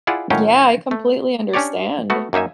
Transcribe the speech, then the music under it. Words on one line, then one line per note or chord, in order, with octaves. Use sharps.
Yeah, I completely understand.
E4 F4 G#4 D5 F#5
A2 D#3 F#3 C#4 F5 G5
A3
C#4 D4 G4 C#5 D5
A3 B3 F#4
F#2 A#3 D#4 E5 G#5